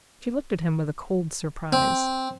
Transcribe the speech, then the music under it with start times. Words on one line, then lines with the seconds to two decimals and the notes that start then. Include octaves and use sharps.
She looked at him with a cold surprise.
1.73 C4